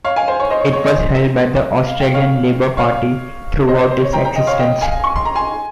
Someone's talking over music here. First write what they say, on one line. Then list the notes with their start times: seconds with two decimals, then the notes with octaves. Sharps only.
It was held by the Australian Labor Party throughout its existence.
0.04 C#5 F5
0.16 F5 G#5
0.28 C5
0.40 C#5
0.50 C5 D#5
0.61 C#5
0.73 C#5
0.84 C5 D#5
1.87 F5
2.00 G5
2.14 C#5 F5
2.77 C#5 F5
3.68 C5 D#5
3.79 C5
3.91 C5
4.03 C#5
4.13 G5 A#5
4.25 G5 A#5
4.36 D#5 G5
4.47 C#5 F5
4.60 D#5 G5
4.81 F5 G#5
5.04 C#6
5.15 C6
5.25 A#5
5.35 G#5 C6